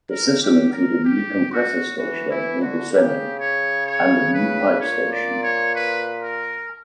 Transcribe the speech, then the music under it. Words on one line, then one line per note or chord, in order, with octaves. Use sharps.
The system included a new compressor station at Bulbuceni, and of new pipe station.
A#4
G4
A#4
G4
F#4
E3 F#4
E3 E4
D3 F#4
C#3 G4
C#5
C#5
B4
A#2 C#5
D5
C#5
B4
A#4